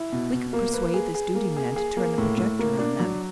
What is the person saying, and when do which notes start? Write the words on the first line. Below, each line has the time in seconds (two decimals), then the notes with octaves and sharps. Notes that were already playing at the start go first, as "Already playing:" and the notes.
If we could persuade this duty man to turn the projector on them!
Already playing: E4
0.12 B2
0.33 B2
0.53 A#3
0.74 B4
0.94 G#4
1.14 G#4
1.35 A#3
1.57 G#4
1.76 G#4
1.97 A#3
2.18 A2
2.38 A2
2.59 A#3
2.79 D4
3.00 F#3